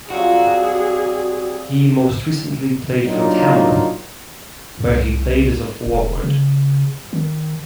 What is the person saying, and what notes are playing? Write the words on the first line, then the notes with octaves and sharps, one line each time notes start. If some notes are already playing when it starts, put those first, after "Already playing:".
He most recently played for Tamworth, where he played as a forward.
C3 F#3 G3 F4 F#4 G#4
F#3 A#3 D4 D#4 F4 F#4
C2
E1
C#3
D#3